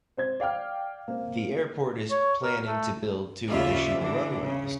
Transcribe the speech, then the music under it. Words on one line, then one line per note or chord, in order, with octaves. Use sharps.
The airport is planning to build two additional runways.
C4 C5 G#6
D5 F5 G5 F6
A#3 C4
C#5
A#4
A3
D#2 C#3 F4 D5 E5
D3 E3 D4
C#3